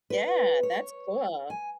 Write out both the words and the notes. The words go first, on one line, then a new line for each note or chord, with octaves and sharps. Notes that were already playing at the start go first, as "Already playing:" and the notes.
Yeah, that's cool.
B4
C#5
G#5